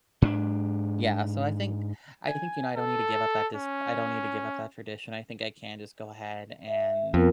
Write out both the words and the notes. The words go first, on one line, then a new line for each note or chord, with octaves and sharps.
Yeah, so I think I think, you know, I don't need to give up that dis I don't need to give up that tradition. I think I can just go ahead and,
G#2 C4 D4
G#5
A4
C#4
E5
F2 B3 F4 A#4